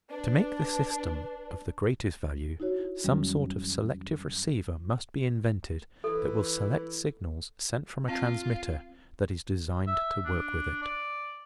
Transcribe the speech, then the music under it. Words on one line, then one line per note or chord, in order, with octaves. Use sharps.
To make the system of the greatest value some sort of selective receiver must be invented that will select signals sent from a transmitter that is designed to work with it.
D4 B4
D#4 E4 F#4 C#5
F2 D#3 F#3 G3 C#4
E3 A4
C4 F4
E5
D4
D5